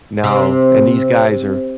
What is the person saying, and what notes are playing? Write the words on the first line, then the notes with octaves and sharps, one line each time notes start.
now, and these guys are
C3